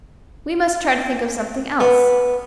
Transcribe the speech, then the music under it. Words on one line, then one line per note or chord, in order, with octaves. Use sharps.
"We must try to think of something else."
B3